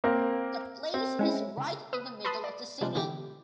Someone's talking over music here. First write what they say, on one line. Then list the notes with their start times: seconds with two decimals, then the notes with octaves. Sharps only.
The place is right in the middle of the city.
0.04 A#3 C4 A#4
0.94 C4
1.19 G#3 C#4 E4
1.57 C#3
1.93 B4 D#6
2.24 B4 A5 B5 C6 D#6
2.44 D5
2.81 C3 F3 G3 G#3 D4
2.94 B2 D3 E3 G4